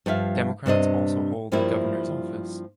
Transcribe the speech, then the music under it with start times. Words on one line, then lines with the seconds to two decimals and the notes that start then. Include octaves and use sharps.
Democrats also hold the Governor's office.
0.06 G2 F3 E5 F5
0.66 G2 C3 D4 D#5
1.52 G2 F3 G3 A#3 E4